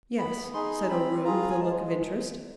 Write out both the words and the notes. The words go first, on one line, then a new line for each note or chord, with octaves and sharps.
"Yes," said O'Roon, with a look of interest.
B3 B5
D#4 G#4 C6
C4 B5
F4 G#4 A#5
G#5
G#3 A5